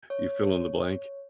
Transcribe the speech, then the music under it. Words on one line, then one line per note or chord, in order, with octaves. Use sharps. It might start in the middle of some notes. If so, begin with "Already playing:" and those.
you fill in the blank,
C#5